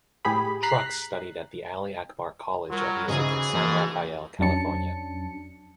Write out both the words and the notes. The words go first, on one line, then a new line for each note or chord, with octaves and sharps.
Trucks studied at the Ali Akbar College of Music in San Rafael, California.
A2 G4 G#4 B5
A#5 F#6 B6 C7
F#3 G3 F4 A#4
G#2 C#3 E3 F#4 G#4 D#5
G#2 E3 A#3 D4 E4 F#4
F2 F#3 C#4 D4 A5 C#7